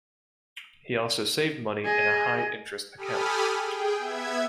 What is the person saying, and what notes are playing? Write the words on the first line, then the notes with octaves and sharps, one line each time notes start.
He also saved money in a high interest account.
G#4 D#5
G4 A4 G#5 B5 D#6 F6
G#4 G5
B3 E5 G#6